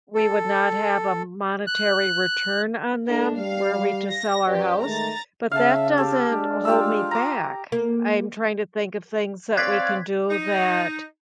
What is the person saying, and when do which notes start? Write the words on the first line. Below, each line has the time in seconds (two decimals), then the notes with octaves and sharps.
we would not have a monetary return on them were we to sell our house, but that doesn't hold me back. I'm trying to think of things that we can do that
0.15 A4
1.67 F#6
3.06 A2 A3 D4 A#4
3.37 G3 F5
4.10 A#6
4.47 F#2 G4 B4 D5
4.82 D#3 G#3 A3 A#5 A6
5.51 C#3 E5 F5 A5
5.98 G4 A4
6.30 G#3 D4
6.65 F4 G4 E6
7.11 A#5 D6
7.72 A#3
9.57 C4 C#5 D5 F5 F#6 G#6 B6
10.31 D#4